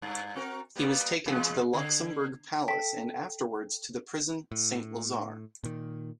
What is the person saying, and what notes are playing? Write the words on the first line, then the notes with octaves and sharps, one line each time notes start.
He was taken to the Luxembourg Palace and afterwards to the Prison Saint-Lazare.
G2
C4 F#4 A#4
G3 A#3 B3
E2 G#3
D3
A4 G5 A5 B6
A2
A#2 D#3